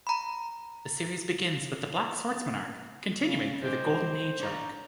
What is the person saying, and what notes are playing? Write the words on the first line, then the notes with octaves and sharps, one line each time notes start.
The series begins with the Black Swordsman arc, continuing through the Golden Age arc.
A#5 B5
C#3
G#3 G4 C5
D4 C#5 A#5